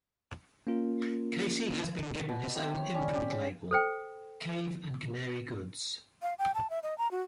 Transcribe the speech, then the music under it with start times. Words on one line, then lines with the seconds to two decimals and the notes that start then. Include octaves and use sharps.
Casey has been given his own imprint label: Cave and Canary Goods.
0.67 A#3 C#4 F4 A#4
2.29 B2
2.55 C3
2.77 C#5
2.94 G3 C#4
3.15 G4
3.31 C#3
3.71 A4 C5 G5
6.22 F5
6.39 G5
6.55 A5
6.70 E5
6.83 D#5
6.98 A#5
7.11 F#4